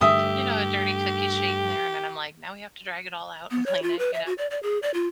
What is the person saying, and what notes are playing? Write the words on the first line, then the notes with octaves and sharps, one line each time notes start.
you know, a dirty cookie sheet in there, and then I'm like, "Now we have to drag it all out and clean it," you know?
G2 D3 A3 G4 E5 D#6
B3
C#5
F4
B4
E5
F#4
D5
D5
G#4
D5
F4